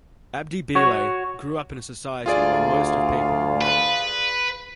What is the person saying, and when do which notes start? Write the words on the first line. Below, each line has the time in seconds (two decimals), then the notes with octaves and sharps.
Abdi Bile grew up in a society where most of people were nomadic.
0.75 F#4 C#5
2.26 D2 F4 G#4 D5 F5
3.61 B4